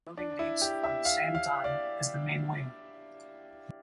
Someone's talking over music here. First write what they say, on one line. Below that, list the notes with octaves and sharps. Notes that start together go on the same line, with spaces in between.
The building dates from the same time as the main wing.
D4
E4
G4
E5
F5
F5
D5